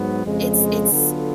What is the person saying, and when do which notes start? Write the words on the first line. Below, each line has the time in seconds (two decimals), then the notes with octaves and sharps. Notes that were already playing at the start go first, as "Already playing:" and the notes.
it's it's
Already playing: G#2 F#3 B3
0.25 F2 C#3 G#3
0.91 D3 F#3 B3 F4 A4